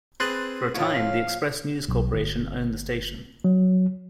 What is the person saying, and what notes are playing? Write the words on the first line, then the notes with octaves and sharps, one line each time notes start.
For a time the Express News Corporation owned the station.
C4 G#4 B4 C6 F#6 A6
A2 F3 C#5 F5
B1
G1
F#3